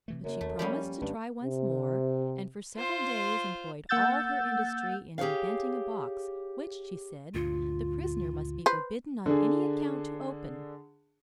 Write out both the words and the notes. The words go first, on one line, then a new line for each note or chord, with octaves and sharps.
But she promised to try once more; and for several days employed all her industry in inventing a box, which, she said, the prisoner must be forbidden on any account to open.
C3 E3 A3
F#2 C#3 A3 A#3
D#2 A3
F3 G3 A#3 C#4
G#1 G2 A3 D4
C3
F4 C5
A#3 F#5 E6 G6 A6
G4 G#4 B4 C#5 F5
D2 G2 A#2 F4
B4 C5
D3 D4 G#4